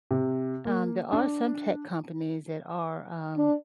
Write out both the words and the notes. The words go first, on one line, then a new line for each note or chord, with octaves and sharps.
Um, there are some tech companies that are, um
C3
A#3
D4
D4